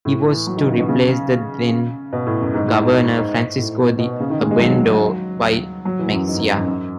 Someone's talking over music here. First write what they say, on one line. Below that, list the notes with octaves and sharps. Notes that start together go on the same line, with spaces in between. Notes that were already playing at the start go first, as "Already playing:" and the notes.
He was to replace the then governor Francisco De Obando Y Mexia.
A2
E3
F#3
D#3
C#3
B2
C#3
B2
A2
F#2
G#2
A2
G#2
G#2
A2
B2
B2
C#3
D#3
G#3
G#3
F#3
F#3
E3
F#2
G#2
F#2
G#2
F#2
F#2